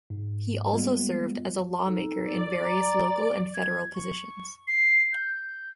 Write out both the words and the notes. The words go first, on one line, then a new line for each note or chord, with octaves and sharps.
He also served as a lawmaker in various local and federal positions.
G#2
G3 G#3 A#3 B3 F4
D#4 A4
D5
A#5 D6 A6
G#6
C#6
C7
G6